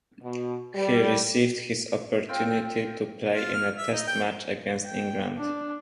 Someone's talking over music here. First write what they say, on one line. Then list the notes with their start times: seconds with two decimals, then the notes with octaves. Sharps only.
He received his opportunity to play in a Test match against England.
0.22 B2
0.75 G3
2.29 C4 F4 G5
3.34 F4
3.53 F6
3.77 E5
3.92 D#4
4.07 G5
4.86 G5
5.37 D4